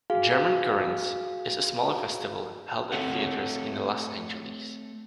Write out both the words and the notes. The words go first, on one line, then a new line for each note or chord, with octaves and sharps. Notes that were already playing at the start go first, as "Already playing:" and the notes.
"German Currents" is a smaller festival, held at theaters in Los Angeles.
F#4 G#4 F5
A3 C4 A4 C#5 F#5